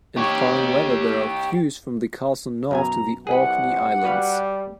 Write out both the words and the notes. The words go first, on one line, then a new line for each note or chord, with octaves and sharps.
In fine weather there are views from the castle north to the Orkney Islands.
G4 C#5
F#2 B2 G#5 A#5
C2 G#4 B4 F#5
G3 F#4 B4 F5